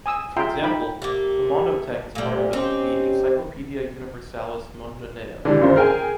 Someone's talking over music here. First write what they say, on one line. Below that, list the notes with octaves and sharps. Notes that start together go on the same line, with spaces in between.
For example, the Mondothèque is part of the Encyclopedia Universalis Mundaneum.
G#5 D#6 E6
F4 E5 G5 A#5 C6
D#4 G5 B5
A3 A#3 G4
A#2 G3 A3
C4 C#4 D#4 G4
D3 E3 G3 D4
F#2 F4 C5
G#4 A#4 G5 G#5 F6